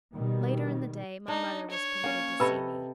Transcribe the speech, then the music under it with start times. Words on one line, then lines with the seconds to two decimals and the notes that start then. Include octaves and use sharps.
Later in the day, my mother was permitted to see me.
0.15 B2 D#3 G3
1.28 D4 D#4
1.71 C#5
2.04 A#3 C#4
2.40 C3 A4 B4 D#5 B5